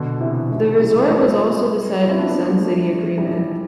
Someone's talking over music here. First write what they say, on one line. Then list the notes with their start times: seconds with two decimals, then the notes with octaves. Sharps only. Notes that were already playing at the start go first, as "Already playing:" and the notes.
The resort was also the site of the Sun City Agreement.
Already playing: B2 D3
0.20 C3 E3
0.50 C3 E3
0.80 E3 G3
1.10 F3 A3
1.25 G3 B3
2.01 F4
2.09 C4 E4
2.19 B3 D4
2.29 B3 D4
2.48 G3 B3
2.58 F3 A3
3.18 E3 G3